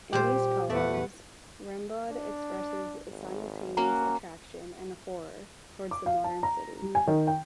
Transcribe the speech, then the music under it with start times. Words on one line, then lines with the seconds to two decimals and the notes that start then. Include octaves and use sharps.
In these poems, Rimbaud expresses a simultaneous attraction and horror towards the modern city.
0.13 A#2 G3 G4 C5
0.69 E2 A3 B4 D5 E5 F#5
2.09 D4
3.10 G#1
3.77 A#3 C#4 F#4 A#5
5.91 D6
6.06 F5
6.24 A5
6.43 A#5
6.82 G3
6.95 G#5
7.07 D#3
7.27 G5